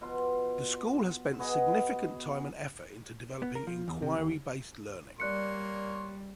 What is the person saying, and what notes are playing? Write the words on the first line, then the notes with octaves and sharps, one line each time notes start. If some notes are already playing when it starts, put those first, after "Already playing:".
The school has spent significant time and effort into developing Inquiry Based Learning.
B2 F3 F5 C6
B3 F#4 G#4 D#5
B3
A#4
F3
E2
C3
D#2
G3 A#3 C#5 D5 C6 F#6 C#7